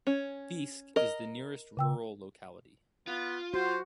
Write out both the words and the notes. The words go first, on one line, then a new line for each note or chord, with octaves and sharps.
Biysk is the nearest rural locality.
C#4
A#4 D#5
C#3 G5 E6
B3 F4
F#4 C5 C6